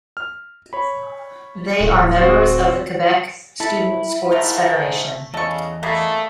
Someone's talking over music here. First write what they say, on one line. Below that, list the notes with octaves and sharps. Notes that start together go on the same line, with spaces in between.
They are members of the Quebec Student Sports Federation.
F6
C#5 B5
D1
C4 F#4 C5
E4 A4
G#2 A3 F4 A#4
E2 C#3 A4 D#5 C#6
G3 A3 A#3 G#4